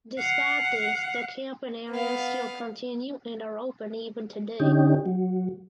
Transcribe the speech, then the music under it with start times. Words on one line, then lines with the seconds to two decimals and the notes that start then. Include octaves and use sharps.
Despite this the camping areas still continue and are open even today.
0.18 F5 F#5
1.91 B3 F5
4.60 D3 C#4 D#4 G4
5.06 F#3